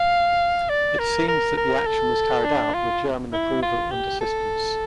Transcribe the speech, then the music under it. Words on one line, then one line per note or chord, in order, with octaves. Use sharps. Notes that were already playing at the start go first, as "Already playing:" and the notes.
It seems that the action was carried out with German approval and assistance.
Already playing: F5
D5
A#4
A#4
A#4
A4
D4
F4
E4
F4
G4
A4